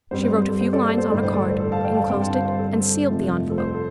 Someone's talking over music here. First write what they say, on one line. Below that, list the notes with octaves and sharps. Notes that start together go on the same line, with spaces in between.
She wrote a few lines on a card, enclosed it and sealed the envelope.
G2 G3 C4 C5
C5
C5
A4
C5
A4 D5
A4
C5
A1 G2 D3 A4 D5
C5
A4 D5
C5
A4
F5 A5
D5 G5
F5 A5
G2 D3 G3 C4 G5 C6
F5 A5
C5 F5
C5
A4
F1 F2 C3 F3 A3
A4
C5
A4